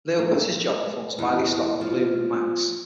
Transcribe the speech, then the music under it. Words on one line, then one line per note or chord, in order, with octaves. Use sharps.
Leo quits his job and forms "Bialystock and Bloom" with Max.
A#3
E2
F3